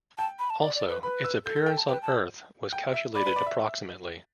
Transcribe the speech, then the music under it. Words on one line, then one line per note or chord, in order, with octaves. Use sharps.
Also, its appearance on Earth was calculated approximately.
G5 A5
B5
A5
D5
D5
B4
B4 B5
E6
A4 G6
G6
G5
A5
B4 G5
A5
G5
E5
D5 B5
B4
D5
E5